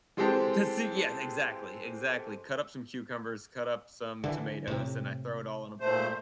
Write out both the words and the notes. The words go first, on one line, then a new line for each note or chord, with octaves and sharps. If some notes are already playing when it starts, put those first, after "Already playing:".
Tzatziki yeah, exactly, exactly. Cut up some cucumbers, cut up some tomatoes, and I throw it all in a bowl,
E3 G#3 C4 G4 A4 C5
D3 E3
A2 C3
A#2 A3 C5